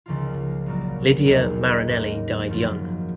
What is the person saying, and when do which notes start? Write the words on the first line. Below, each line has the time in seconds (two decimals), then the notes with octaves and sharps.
Lydia Marinelli died young.
0.06 C#2 C#3 F3 A#3 F4
0.66 A#1 A#2 F#3 A#3
1.25 D#2 C#3 G#3 C#4
1.87 G#2 F#3 A#3
2.47 G#1 F#2 F3